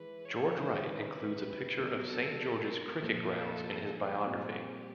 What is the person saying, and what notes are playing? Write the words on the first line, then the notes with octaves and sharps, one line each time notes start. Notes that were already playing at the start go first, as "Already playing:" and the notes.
George Wright includes a picture of Saint George's cricket grounds in his biography.
Already playing: E3 G#3 E4 B4
C#5
C3 D#3 G#3 C#4 E4 C5
B4
B4
B2 F#3 B3 D4 A#4
A4
A#4
A#2 F3 A3 A4
G#4
A#2 G3 C4 G#4
G4